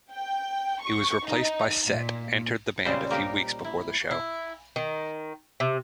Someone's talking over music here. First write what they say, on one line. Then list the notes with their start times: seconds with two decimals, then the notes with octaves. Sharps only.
He was replaced by Set entered the band a few weeks before the show.
0.13 G5
0.83 C#6
1.28 D#4
1.86 A#2
2.85 A#2 C#3 G3 G#3 C5
3.10 A#3 D#4 G4 A#4
3.64 E4
4.11 E4
4.76 D#3
5.60 C3